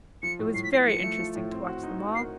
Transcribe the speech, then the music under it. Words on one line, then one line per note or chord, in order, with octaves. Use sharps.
It was very interesting to watch them all.
F3 C#7
A2
A2 C7
B6
A2 C7
F3 C#7
A3
F3
A2
C4
F#4
D#4
F#4
A#4 C7